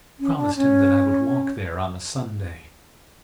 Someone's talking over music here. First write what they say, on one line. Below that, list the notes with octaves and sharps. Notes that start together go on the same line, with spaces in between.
I promised him that I would walk there on a Sunday.
C#4
D4
C#4